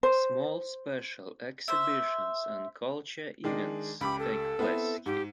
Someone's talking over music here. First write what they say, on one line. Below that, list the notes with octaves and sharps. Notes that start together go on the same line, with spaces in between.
Small special exhibitions and cultural events take place here.
C5
C5 E5
D#3 G#3 D4
C#2 G4 B5 D6
A4
B3 C4 E4
G#2 G4